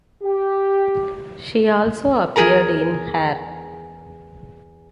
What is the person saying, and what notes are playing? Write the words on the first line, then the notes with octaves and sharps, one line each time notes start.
She also appeared in Hair.
G4
E2 C#3 G#4 A#4 A#5